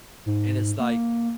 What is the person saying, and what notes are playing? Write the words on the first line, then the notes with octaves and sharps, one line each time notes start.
And it's like,
G#2
A#3